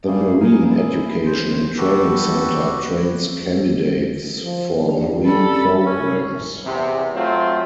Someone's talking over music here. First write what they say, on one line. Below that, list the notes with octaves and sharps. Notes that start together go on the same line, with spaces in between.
The Marine Education and Training Center trains candidates for marine programs.
G3 A3 A#3 G#4
D#4 G#4 A#4 G#5
E4 G#4
C5
F#4 G4 A4 B4
F3
G2
G3 A4 B5
C#4
E2 C3
F#3 A3 C4 F4